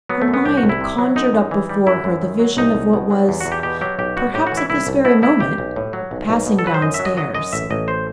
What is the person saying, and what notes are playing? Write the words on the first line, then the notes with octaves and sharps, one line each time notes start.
Her mind conjured up before her the vision of what was, perhaps at this very moment, passing downstairs.
F#3 B3
A3
F#2
B3
C2 G4
F#4
C2
E4
C3
F#3
F#2 D#4
F#2
E3
G3
F#2 E4
F#2
D#3
F#3
C2 D#4
C2
B2
F#3
E2
F#4
E2
G4
B2 G4
F#3 G4
B1 G4
G3 F#4
A2 G4
F#4
E3
E4
C2 E4
C2
B2 E4
G3 E4
B1 G4
B1
A2
F#3
B1
B1
B2
A4
F#3 B4
C5
F#2 D#5
E5
F#3
D#5
F#3 D#5
F#2 D#5
A1 E5
A1 D#5
C5